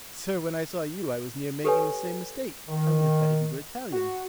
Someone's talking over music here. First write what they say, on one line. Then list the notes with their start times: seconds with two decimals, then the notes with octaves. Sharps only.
"Sir, when I saw you, I was near making the same mistake; I would have betted you were Italian."
1.64 G4 A4 B4 C#5 G#5
2.69 D#3
3.92 F#4